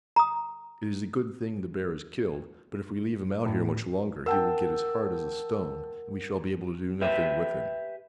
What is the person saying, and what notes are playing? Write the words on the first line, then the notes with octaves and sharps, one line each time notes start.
"It is a good thing the bear is killed, but if we leave him out here much longer, he will get as hard as a stone, and we shall be able to do nothing with him."
A#5 D#6
A2
A#4 F#5 G5 A5 E6
G4 B4 E5